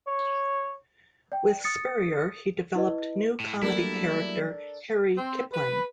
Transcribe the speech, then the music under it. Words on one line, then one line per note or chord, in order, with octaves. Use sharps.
With Spurrier he developed new comedy character "Harry Kipling".
C#5
D5 G5
D#6 A6 C#7
E4 B4 D#5
A2
F#3 G3 A3 A#3 D4 E4 A4 A#4
C4
B4